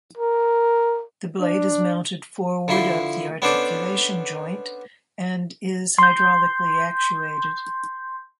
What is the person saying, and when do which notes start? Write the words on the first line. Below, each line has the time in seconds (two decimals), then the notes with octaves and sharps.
The blade is mounted forward of the articulation joint, and is hydraulically actuated.
0.17 A#4
1.40 D4
2.68 D3 F3 E4 C6
3.42 B3 C#4 D4 A4 C5 D5
5.98 C6 G6